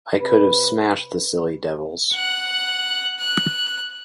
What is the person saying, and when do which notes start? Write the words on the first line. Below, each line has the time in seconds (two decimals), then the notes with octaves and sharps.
I could have smashed the silly devils.
0.21 C3 B4
2.12 F#5 F#6
3.18 F#6